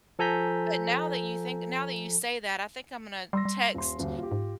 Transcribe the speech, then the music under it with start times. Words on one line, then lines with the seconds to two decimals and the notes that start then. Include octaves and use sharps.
But now that you think now that you say that, I think I'm gonna text
0.19 F3 A4 G#5 A#5 G6 B6
3.33 G3 C6 E6 A#6
3.45 G3
3.75 D#1 C6
3.99 D#1 D2
4.19 F4 G4
4.32 G#2